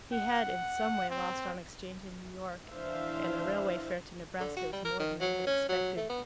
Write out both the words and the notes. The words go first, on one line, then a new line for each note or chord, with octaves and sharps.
He had in some way lost on exchange in New York, and the railway fare to Nebraska was more than they had expected.
F#5
C4
E3 D4 C5 E5 F5
D3
F#4
G3
A#4
D#3
F#3
C#4
F#3
A3
B3